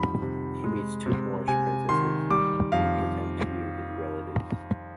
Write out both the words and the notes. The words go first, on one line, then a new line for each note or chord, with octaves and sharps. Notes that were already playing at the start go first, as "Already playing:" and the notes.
He meets two Moorish princesses who pretend to be his relatives.
Already playing: F2 D#3 G3 B5
C3
G#3
C3
C3 G#5
D#3 C6
G3 D6
F2 F5